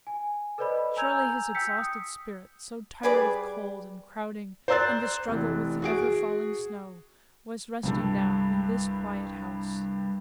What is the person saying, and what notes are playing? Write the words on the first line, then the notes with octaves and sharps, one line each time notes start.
Surely, his exhausted spirit, so tired of cold and crowding and the struggle with the ever-falling snow, was resting now in this quiet house.
G#5
A4 B4 C5 D5 D#5 B5
G#5 A#5 E6 G6 G#6 F7
G5 E6 G6 B6 C#7
D#6
G3 G#4 B4 D5
C5 D5 A#5 E6 F#6 A6
F1 E3
F#4 G#4 D7
C2 G2 A4